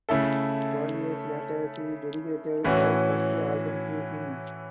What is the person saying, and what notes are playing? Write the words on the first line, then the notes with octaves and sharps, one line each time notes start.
Twelve years later she dedicated her first album to him.
C#3 A3 E4 A4
A2 E3 C#4 F#4